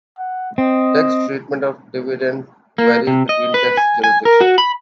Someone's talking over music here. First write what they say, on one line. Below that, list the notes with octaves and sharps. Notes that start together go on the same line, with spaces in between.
Tax treatment of dividends varies between tax jurisdictions.
F#5
C4 D#5
A#3
C3
D#5
B4
G#5
G#5
A#4
F#4
B5